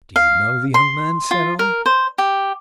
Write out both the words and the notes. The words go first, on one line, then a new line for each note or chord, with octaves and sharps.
"Do you know the young man?" said I.
F5
C6
F4
A#4
C5
G4